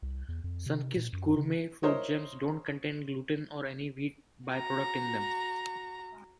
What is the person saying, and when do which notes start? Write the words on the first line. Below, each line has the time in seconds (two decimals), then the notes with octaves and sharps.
Sunkist Gourmet Fruit Gems don't contain Gluten, or any wheat by-product in them.
0.02 C2
0.28 E2
0.44 F2
0.66 C3
0.96 A#2
1.13 F#2
1.36 C#3
1.83 E4 A#4 C5 C#5 D#5
4.48 F#4 A#5